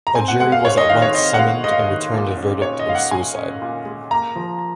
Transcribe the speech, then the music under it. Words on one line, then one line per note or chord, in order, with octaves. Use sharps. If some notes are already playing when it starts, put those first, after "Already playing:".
A jury was at once summoned, and returned a verdict of suicide.
A#5
C4 G#5
F#5
G#3 F#5
F5
G#2 C#5
D#5
D#3 F5
C#5
C4 D#5
F#5
G#3 F5
G#2 D#5
F5
D#5
D#3
A#2
C#4
A#2 C#5
D#5
G#3 F5
F#5
A#2 G#5
C#4
A#2
G#3
A#3 A#5
F3